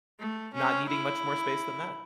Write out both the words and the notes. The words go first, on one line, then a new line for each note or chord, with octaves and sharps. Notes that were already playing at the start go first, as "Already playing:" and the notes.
not needing much more space than that.
A3
C#4
E4